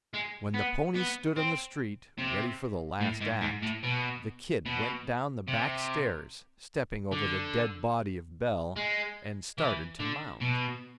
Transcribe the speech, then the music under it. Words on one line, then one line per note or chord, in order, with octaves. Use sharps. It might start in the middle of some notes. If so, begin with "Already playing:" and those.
When the pony stood on the street, ready for the last act, the "Kid" went down the back stairs, stepping over the dead body of Bell, and started to mount.
G#3
B3
B3
C4
C3
A2
G#2
G#2
A2
B2
B2
C3
D3
G#3
E3
D3
B2